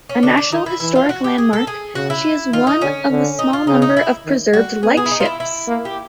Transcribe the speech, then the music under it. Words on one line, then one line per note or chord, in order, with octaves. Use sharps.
A National Historic Landmark, she is one of a small number of preserved lightships.
C#4
D3 D4
D4
D#3 D#4
E4
E3 E4
F4
F#4
G4
G#4
A4
G#4
C#3 F#4
E4
D#3 F4
D#4
D3 C#4
D3
D#4
F4
C#3 D#4
D#4
E4
D#3
G3 F#4
B3 G#4
G#4
E4
D#4
F4
E4
E4
A#3
G4